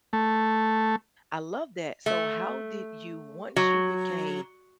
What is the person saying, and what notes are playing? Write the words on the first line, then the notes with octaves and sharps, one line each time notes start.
I love that, so how did you once you became
A3
A3
F#3